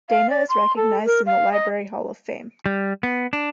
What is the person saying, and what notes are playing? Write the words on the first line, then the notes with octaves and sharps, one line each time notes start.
Dana is recognized in the Library Hall of Fame.
F5
D5
C6
A4
A#4
F5
D#5
G3
B3
D4